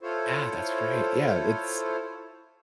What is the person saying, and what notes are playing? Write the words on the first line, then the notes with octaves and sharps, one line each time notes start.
Yeah, that's right, yeah, it's
E4 F4 A4 C5 C#5